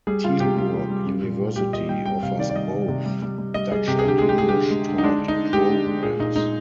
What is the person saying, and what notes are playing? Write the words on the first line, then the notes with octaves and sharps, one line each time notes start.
Tilburg University offers both Dutch-and English-taught programs.
G3 G#4
G3 F4
C3 G4
G3 F4
G3
G3
G3
A#2
A#2
G3 G4
A#2 D#5
G3 G5
G3 G5
C3 F5
D#3 D5
D5
G3 D#5
C3
C3
G3
G3
G3
G3 D#5
G3 G#4
C3 G4
G#4
D3 G4
G#3 G#4
G4
D3 G#4
G4
D3
G#3
D3
D#4
G#3 D4
D3
D#4
D3
G#3 G4
D3
G#3
A#2 G#4
A#2 D#4
G#3 D#4